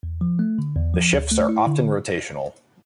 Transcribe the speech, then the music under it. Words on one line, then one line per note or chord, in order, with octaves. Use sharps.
The shifts are often rotational.
E2
F3
A3
D3
E2
F3
D2
A3
E4
D3